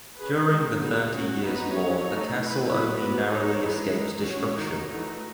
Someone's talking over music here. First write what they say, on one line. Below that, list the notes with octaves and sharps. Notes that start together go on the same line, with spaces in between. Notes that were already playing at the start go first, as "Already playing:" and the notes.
During the Thirty Years' War the castle only narrowly escaped destruction.
C#4 G#4 B4
D#3 G#3 D#4
F#3 B3 D#4 G#4
F#3 C#4 F#4
B3 D#4 F#4 B4
F#3 C#4 G#4 C#5
A3 D#4 A4
A3 E4 B4
F#3 B3 E4 B4
F#3 B3 F#4 B4
B3 D#4 A4 C#5
E3 G#3 D#4 G#4 B4
E3 G#3 D#4
G#3 C#4 F#4 C#5
D#3 A3 D#4 F#4
E3 A3 D#4 F#4